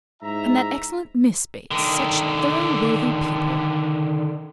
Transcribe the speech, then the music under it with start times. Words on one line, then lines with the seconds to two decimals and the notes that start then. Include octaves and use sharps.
And that excellent Miss Bates!--such thorough worthy people!
0.22 G#2 E4 E5 A#5
1.71 D3 D#3